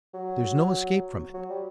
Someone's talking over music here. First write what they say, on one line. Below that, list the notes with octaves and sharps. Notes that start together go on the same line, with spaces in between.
There's no escape from it.
F#3
F#3
G3